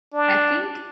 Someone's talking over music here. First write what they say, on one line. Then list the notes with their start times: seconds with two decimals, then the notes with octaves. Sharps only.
I think
0.13 D4